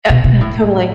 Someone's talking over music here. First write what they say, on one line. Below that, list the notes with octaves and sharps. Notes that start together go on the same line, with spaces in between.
Uh, yeah, totally.
B2
B2
A2